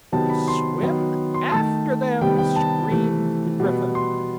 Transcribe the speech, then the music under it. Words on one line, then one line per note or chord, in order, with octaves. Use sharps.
'Swim after them!' screamed the Gryphon.
C3 D#3 F#3 B3 A5
B5
C6
D#3 F#3 B3
C6
D#3 A3 A5
C3 D#3 G3 B3 G5
G5
A5
C3 E3 A3
B2 G3 B3
C6